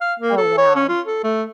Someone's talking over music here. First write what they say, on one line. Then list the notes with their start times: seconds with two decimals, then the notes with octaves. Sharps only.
Oh, wow.
0.01 F5
0.19 A#3
0.37 A4
0.58 C#5
0.75 C#4
0.89 F4
1.06 A4
1.24 A3